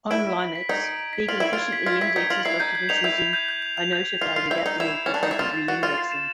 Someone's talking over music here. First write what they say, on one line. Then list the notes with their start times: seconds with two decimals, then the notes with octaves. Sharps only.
On Linux, Beagle efficiently indexes documents using inotify without the need for frequent reindexing.
0.10 E4 D7
0.26 B6
0.40 F#7
0.55 B6
0.69 D#4 G#6
0.84 D7
0.99 D7
1.13 B6
1.28 F4 F#7
1.40 E4 D7
1.53 F4 G#6
1.73 B6
1.86 F4 G#6
2.01 E4 B6
2.16 D#4 G#6
2.30 F4 F#7
2.45 E4 C7
2.60 D#4 G6
2.75 G6
2.89 D#4 F7
3.04 E4 G6
3.18 F7
3.33 G6
3.49 G6
3.62 F7
3.77 F7
3.93 G6
4.08 F7
4.21 F4 C7
4.36 F4 C7
4.50 E4 G6
4.66 D#4 G6
4.80 E4 E7
4.95 C7
5.06 C#4
5.09 D4 A6
5.23 D#4 C7
5.31 E4
5.39 F4 A6
5.54 A6
5.68 F#4 A6
5.83 F4 A6
5.98 C7
6.12 E7